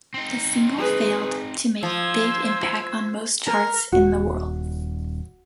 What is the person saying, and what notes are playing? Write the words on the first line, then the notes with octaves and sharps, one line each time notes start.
The single failed to make a big impact on most charts in the world.
C4 D#4
G#4 B4
F3 C5 E6 G#6
A#4
D#1 F#4